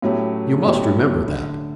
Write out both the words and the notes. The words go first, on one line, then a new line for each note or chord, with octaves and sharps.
You must remember that.
A2 F#3 A3 C#4 G4
A2 F#3 A3 C#4 G4
D3